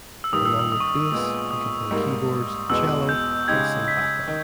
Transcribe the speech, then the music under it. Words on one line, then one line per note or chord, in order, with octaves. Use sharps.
Along with bass, he can play keyboards, cello, and sing back up.
E6
G2 D#3 A#3 D#4 G4 D#6
E6
E6
D#6
C#6
D#6
A#2 G#3 B3
D#6
G#2 G3 A#3 D#4
E2 B2 G#3 E6
G6
C#3 G#3 D#4 G4 G#6
B6
D#3